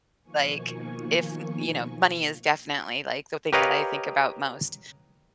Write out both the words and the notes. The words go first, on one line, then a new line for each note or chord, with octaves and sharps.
like, if you know, money is definitely like the thing that I think about most.
B2 D#3 F3 A#3 G#5 C#6
G4 A#4 B4 C#5 D#5 F5